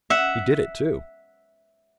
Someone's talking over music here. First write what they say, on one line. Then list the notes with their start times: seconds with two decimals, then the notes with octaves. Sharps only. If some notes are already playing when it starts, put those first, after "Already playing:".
He did it too.
0.10 E5 F#5